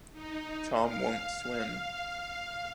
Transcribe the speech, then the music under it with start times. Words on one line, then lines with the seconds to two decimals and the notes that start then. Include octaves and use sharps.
Tom won't swim.
0.13 D#4
0.80 F5
1.30 F5